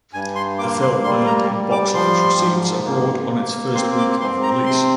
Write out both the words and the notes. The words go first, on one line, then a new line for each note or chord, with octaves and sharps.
The film earned in box office receipts abroad on its first week of release.
G2 G#5
C6
A#3 D6
C6
G3 C6
A#5
G3
D6
F3 C6
G#2
A#3
A#3
C4 C6
D6
C4 C6
A#5
C3 C6